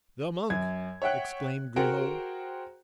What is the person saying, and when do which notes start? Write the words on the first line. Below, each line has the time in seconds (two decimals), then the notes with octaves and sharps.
"The monk!" exclaimed Grimaud.
0.50 F#2 G#6
1.02 C#5 E5 F#5 G5 F#6
1.76 F#4 G#4 A#4 C5 F#5 G5